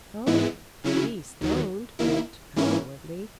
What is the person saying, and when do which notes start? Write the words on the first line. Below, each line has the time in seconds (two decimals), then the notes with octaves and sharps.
"Oh, please don't!" begged Uncle Wiggily.
0.26 G#2 E3 G#3 B3 E4
0.84 C#3 F#3 C#4 E4
1.41 D#2 D#3 F#3
1.99 D#2 D#3 A#3 E4
2.56 G#2 E3 A#3 C#4 E4